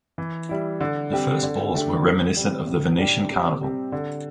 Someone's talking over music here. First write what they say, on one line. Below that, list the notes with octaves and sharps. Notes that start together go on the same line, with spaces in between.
The first balls were reminiscent of the Venetian carnival.
E3
G3 E4
D3
G3 C4 G4
D3
A3 D4 G4
E3
G3 C4
A2
G3 D4 G4
C3
G3 C4 G4
D3